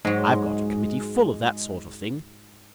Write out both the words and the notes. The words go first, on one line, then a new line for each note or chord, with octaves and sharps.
I've got a Committee full of that sort of thing.
G#2 F#3 G#3